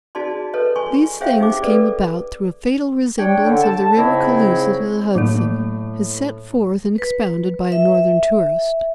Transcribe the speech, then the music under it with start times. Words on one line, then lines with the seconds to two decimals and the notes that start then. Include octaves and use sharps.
These things came about through a fatal resemblance of the river Cooloosa to the Hudson, as set forth and expounded by a Northern tourist.
0.15 D#4 F#4 G#4 D5 A5 C6
0.54 A4 B4 C#5 D#5
0.76 G#5 C6 C#6
1.21 G#4 C5 C#5 E5 F5 G5
1.40 D#4 G4 D6
1.62 A4 B4 D5
3.19 D4 C#5 G5
3.46 D3
3.61 A5
3.97 G#2 C#3 C4 E4 C#5 D#5
5.15 A2 F#3 A#3
6.98 B4
7.72 E5